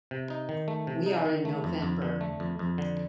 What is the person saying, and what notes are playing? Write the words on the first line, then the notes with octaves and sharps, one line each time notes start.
We are in November.
C3
D#4
D#3
A3
C3
D#4
D#3
A3
F2
F2
D3
A3
F2
F2
D3